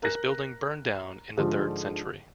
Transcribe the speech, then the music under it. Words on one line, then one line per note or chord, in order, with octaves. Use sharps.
This building burned down in the third century.
A#4 F#6 A#6
G#2 D3 F3